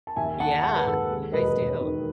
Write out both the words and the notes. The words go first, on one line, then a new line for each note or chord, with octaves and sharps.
Yeah, you guys do.
A5
D#2 E5 G#5
D#2 F#5 A5
G#3 F#5 A5
B4
D#2 A4
G#3
E1 B4 D#5
E1
D#3